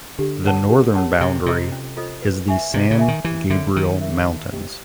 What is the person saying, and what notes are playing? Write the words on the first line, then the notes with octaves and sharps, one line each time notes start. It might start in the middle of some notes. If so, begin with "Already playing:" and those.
The northern boundary is the San Gabriel Mountains.
D3 G4
A#4 C#5 F#5 A5
G4
A#4 C#5 F#5 A5
C3 C#4
C3 F4 A4 C5 D#5
C#4
F4 A4 C5 D#5
B4
E5 G#5 C#6
C3 B4
C#3
E5 G#5 C#6
D#3
E3 G4
D3 A#4 C#5 E5
D#3 G4
A#4 C#5 E5
D#4
G4 C5 D#5 G5